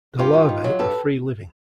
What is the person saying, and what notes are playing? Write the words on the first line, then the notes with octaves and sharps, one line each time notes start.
The larvae are free living.
G2 F4 G4
G2
D#3
F#3
G2 A4 B4